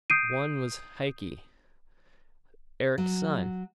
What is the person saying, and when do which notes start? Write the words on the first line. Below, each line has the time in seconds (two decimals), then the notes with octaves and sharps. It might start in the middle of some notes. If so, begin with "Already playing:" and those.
One was Haki, Eric's son.
0.10 D#6 G6 C7 D7 D#7
2.98 F#3